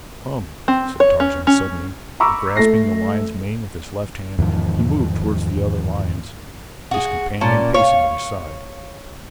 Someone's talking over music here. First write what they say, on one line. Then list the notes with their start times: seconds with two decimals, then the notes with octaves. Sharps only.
"Come," said Tarzan suddenly and grasping the lion's mane with his left hand he moved toward the other lions, his companion pacing at his side.
0.68 C4
1.00 C#5
1.20 C#4
1.47 C#4
2.20 A#5 B5 C#6 D6 E6
2.55 A3 A4 A#6 C7
4.38 E2 G#2 D#3 F3
6.91 F#4 G#4
7.41 A#2 C#4 D5 A5
7.74 C#5 F5